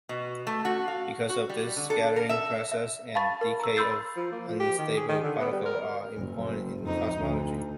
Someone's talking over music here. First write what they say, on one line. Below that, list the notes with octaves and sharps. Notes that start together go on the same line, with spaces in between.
Because of this, scattering processes and decay of unstable particles are important in cosmology.
B2
A3
F#4
F5
F#4
G3
D3
A4
A#4
E5
E5
F5 A5 B5 C#6 A6
A#4
A#5 E6
B5 C6 E6 G6 A6 C7
F3
A#3
F3
G4
D#3
G#4
D#3
D3
B3
G3
A#4
F#1
F2 D#4
D2